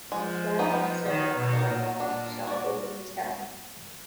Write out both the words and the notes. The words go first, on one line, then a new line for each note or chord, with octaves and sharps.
Flying Officer McElhaw shot both of these down.
F3 G#3
B3 D#4
D#3 B3
B2
D#4 A#4
A#2
D4
F#4 A#4 D5